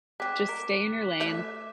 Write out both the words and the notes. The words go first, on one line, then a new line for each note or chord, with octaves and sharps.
just stay in your lane
G#3 C4 D6 F#6 B6
A#4
A3 A4 E5